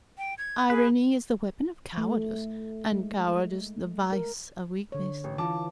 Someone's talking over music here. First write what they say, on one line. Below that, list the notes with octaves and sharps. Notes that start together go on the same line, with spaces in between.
Irony is the weapon of cowardice, and cowardice the vice of weakness.
G5
G#6
G#4 B4
A3
G#3
A#4
D3 C#5
A1
E3 F4 A5 D6